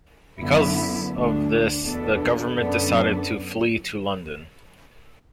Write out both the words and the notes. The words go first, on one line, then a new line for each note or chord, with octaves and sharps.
Because of this the government decided to flee to London.
F#2 D3 B3 E4
D2 D3 A3 D4
E2 B2 B3 D4 A4
F#2 D3 B3 D4 A4